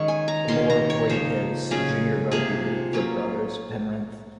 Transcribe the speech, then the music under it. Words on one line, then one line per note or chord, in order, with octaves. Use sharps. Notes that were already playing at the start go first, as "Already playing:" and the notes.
Blore played his junior rugby league for Brothers Penrith.
Already playing: D#3 G#3 C#4 C#6
G#5
A#5
C3 D#3 A#3 C#4 C6
A#5
C#5
C#3 F3 A#3 D#4 C5
C#3 F#3 C#4 F4 G#4
C3 F3 A#3 G#4
F#3 A#3 C#4 F4